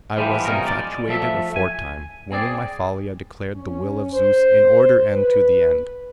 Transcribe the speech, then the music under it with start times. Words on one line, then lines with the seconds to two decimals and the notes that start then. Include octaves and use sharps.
I was infatuated aforetime, when in my folly I declared the will of Zeus in order and to the end.
0.17 E3 F3 G3 G#3
0.45 B2 F3 F#3 C#4 D#4 A#4
0.63 G#3 D5
1.08 F3 A3 A4 E5
1.56 G#5
2.32 C4 G#4 D5
3.54 C#4
4.12 C5
5.11 B4